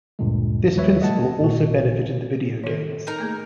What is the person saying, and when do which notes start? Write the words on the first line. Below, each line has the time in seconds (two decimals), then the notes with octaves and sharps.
This principle also benefited the video games.
0.19 D2 G2 A#2 D3 G#3
0.76 D#2 F#3 G3 B4 C#5 E5
1.01 A3 D#5 F#5 A5
1.40 G#1 A#2 F#4
2.64 D#3 A4
3.07 D#4 A#4 A#5
3.18 A3 A#3 G#4